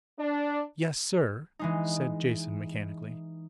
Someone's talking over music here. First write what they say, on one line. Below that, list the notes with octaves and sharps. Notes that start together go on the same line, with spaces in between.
"Yes, sir," said Jason mechanically.
D4
E3 G#3 D#4